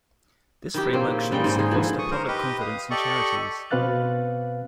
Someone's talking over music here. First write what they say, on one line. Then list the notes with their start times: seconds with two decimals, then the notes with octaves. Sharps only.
This framework should also foster public confidence in charities.
0.74 D#3 E4 G4
0.93 A#2 C#3 A#3 C4
1.31 C#3 G3 G#3 G5
1.44 G#2 D#3
1.59 D#3 G#4 A#4
1.71 D3 E3 F3
1.99 C#6 D#6
2.11 A#4 C5
2.28 G4 B4 D#5
2.61 F5 D#6
2.90 G4 A4 D5 D#5 C#6
3.71 B2 C4 B4 F5 F#6 A6